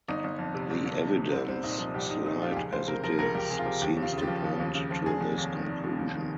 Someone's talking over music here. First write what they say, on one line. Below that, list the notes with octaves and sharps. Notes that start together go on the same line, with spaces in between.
The evidence, slight as it is, seems to point to this conclusion.
G1 D#4
G1
F2
C3
G1
G1
F2
C3
C2 C4
C2 C4
A#2 D#4
F3 D#4
C2 G4
C2 D#4
A#2 D#4
F3 F4
G4
C#2 G#4
C#2 C5
C3 A#4
F3 A#4
C#2 A#4
C#2 G4
C3 G#4
F4
F3 G4
D#2 G4
D#2
F4
C#3
F4
G4
F3
D#2
D#2
C#3
F3
F1 G#4
F1
D#2
D#3
F1
F1
D#2
D#3